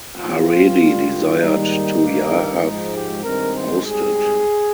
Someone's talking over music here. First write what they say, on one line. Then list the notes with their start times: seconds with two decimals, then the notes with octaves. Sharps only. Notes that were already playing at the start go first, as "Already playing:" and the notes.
Haredi desired to Yahav ousted.
0.16 A#2 F3 C4 F4
0.78 G2 D3 G3
1.39 G#2 D#3 G3 A#3 D#4
2.00 G2 D#3 A#3
2.62 G#2 F3 G#3 D#4
2.93 G4
3.22 G2 D#3 G#3 C4 A#4
3.53 C5
3.84 G#2 G3 C4 G#4